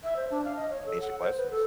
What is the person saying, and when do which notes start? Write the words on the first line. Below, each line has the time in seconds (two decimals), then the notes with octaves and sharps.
basic lessons,
0.03 E5
0.16 C5
0.31 D4
0.44 F5
0.56 D#5
0.70 C#5
0.86 A4
1.01 F#5
1.20 C5
1.37 B4
1.51 A4